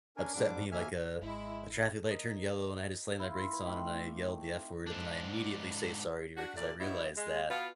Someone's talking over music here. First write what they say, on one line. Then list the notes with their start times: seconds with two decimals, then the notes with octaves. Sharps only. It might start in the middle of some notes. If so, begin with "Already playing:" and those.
upset me, like a a traffic light turned yellow and I just slammed my brakes on and I yelled the F word and then I immediately say sorry to her 'cause I realized that
0.17 C#4 D4 A#4 G#5
0.34 F2 G#2 G3 D4 D6
0.72 D#2 B2 A#3 E5 G#5 F6
1.22 G#1 G#3 E4 F4
2.07 A#4 D#5
3.19 E4 F4
3.53 B4
3.66 A3 C4 D#4 G4
4.87 G#2 D4
6.37 D4 F#4
6.56 A#2 A3 D5
6.80 F#3 G3 B3 C#4 D#4 E4
7.16 G#3
7.49 B2 B3 F4